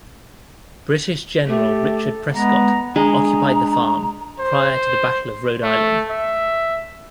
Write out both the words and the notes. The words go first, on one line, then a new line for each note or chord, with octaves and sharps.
British General Richard Prescott occupied the farm prior to the Battle of Rhode Island.
A3 G4 A4
G#3 B3 A#5
G#3 D4 A#5
C5
A3
E5